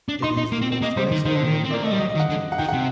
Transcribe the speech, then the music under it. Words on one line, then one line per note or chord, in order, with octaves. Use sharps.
It is the most western member of its genus.
D4
D#4 C6
D#4
A#3
C4
C4
A#3 D#5
G3 C5
D#3
D#3 C5
D3
D#3
C4
A#3 D5
A3 D#5
G3
F#3 D#5
D#5
D#3
F#5
D3
F#5
D#3 G5
F#5
C3